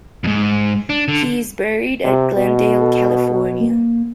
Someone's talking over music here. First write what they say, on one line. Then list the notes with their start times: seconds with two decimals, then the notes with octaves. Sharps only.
He is buried at Glendale, California.
0.24 F2 G#2
0.90 D4
1.08 D3
2.04 C3
2.35 B2
2.80 A4
3.60 A#3